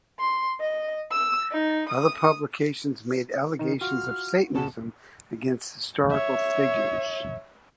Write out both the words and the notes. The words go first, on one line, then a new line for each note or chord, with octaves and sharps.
Other publications made allegations of Satanism against historical figures.
C6
D#5
E6
D#4
D#6
D#3 D#4
F4 F#4 F6
C#3 F#5 A5
C#5 E5